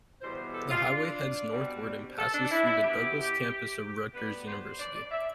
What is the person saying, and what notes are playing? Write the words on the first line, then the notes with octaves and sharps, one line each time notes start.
The highway heads northward and passes through the Douglass Campus of Rutgers University.
E2 B2 G3 C5
A4
F4
D4
B2 G3 C4
A4
D4
D4
E4
E4
B2 B3 G4
D2 D3 G3 B3 B4
C5
D5
D5
E5